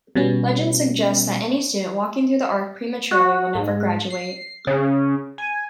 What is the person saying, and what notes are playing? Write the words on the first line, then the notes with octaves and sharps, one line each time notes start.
Legend suggests that any student walking through the arch prematurely will never graduate.
B2 G3 B3 C#4
F#4
G#2
C7
C#3
G#5